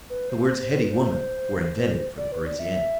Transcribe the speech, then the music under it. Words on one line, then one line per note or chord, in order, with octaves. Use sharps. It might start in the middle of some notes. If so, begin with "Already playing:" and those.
The words heady woman were invented for the Parisienne.
B4
C5
C5
C5
B4
C5
D5
B4
D5
E5